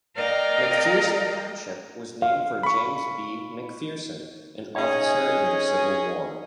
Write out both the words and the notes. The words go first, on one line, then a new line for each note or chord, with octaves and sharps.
McPherson Township was named for James B. McPherson, an officer in the Civil War.
A#4 D5 D#5 F5 G5 A#5
F5
B5 C#6
C#4 D#4 G#4 C#5 D#5 G#5